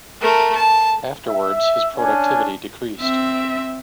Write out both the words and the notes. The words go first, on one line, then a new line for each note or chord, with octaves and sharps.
Afterwards his productivity decreased.
A3 A#4
A5
E5
C#4 D4 G#5
C4 E5